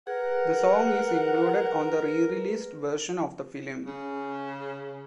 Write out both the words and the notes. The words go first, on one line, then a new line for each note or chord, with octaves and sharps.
The song is included on the re-released version of the film.
G#4 A#4 B4 F#5
C#3